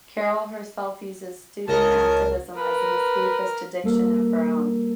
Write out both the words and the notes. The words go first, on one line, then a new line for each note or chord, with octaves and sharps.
Carol herself uses student activism as an escapist addiction of her own.
C#2 C#3 A#4 D#5 A5
A#4 B4
G3 A#3 A4 A#4